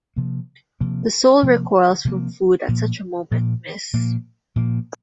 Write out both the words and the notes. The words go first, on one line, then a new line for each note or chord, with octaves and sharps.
The soul recoils from food at such a moment, miss.
C3 F3 A#3
C3 F3 A#3
C3 F3 A#3
C3 F3 A#3
A#2 F3 A#3
A#2 F3 A#3
A#2 F3 A#3
A#2 F3 A#3